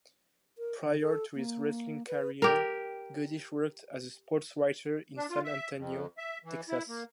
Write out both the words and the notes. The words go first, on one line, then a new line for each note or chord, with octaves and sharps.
Prior to his wrestling career, Goodish worked as a sportswriter in San Antonio, Texas.
A#4
D3
A4
A#3
B4
G4 A#4
D4
F4
E5
F2
E5
E3
E4
A#3